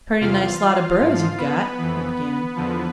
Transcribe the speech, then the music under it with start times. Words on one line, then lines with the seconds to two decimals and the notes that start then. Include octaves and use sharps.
"Purty nice lot of burros you've got," he began.
0.21 E2 C3 E3 F4 F5
0.60 F4 F5
0.99 G#2 F3
1.38 B3 B4
1.78 F2 E3
2.56 E2 D3 F3